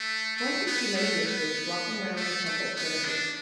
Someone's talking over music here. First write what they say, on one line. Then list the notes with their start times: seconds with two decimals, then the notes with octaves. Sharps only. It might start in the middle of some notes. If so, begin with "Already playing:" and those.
One can see many roosters flocking around the temple premises.
Already playing: A3
0.36 A3
0.67 B3
0.96 A3
1.26 B3
2.16 A3
2.45 A3
2.75 B3
3.05 D4